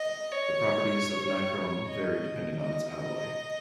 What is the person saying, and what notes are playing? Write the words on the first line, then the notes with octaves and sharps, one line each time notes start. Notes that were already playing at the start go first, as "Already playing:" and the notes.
The properties of nichrome vary depending on its alloy.
Already playing: D#5
C#5
D#5
D#5